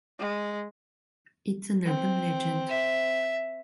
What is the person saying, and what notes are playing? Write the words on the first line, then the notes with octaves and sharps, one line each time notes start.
It’s an urban legend.
G#3
C4
E5